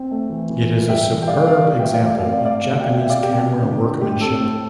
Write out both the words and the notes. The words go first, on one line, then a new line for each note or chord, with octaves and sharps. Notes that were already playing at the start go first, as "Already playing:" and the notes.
It is a superb example of Japanese camera workmanship.
Already playing: C4
A3
E3
E3
E3
G3 E5 G5
E3
G5
G3 D5 F5
E3 D5 F5
G3
E5 G5
E3
D5 F5
A3 D5 F5
D5 F5
C4
D5 F5
A3 D5 F5
B2
G5
C3 D5 F5
E5 G5
C3
D5 F5
C3 G4
B3
D3
D3
A3 G4
C4 A4
A2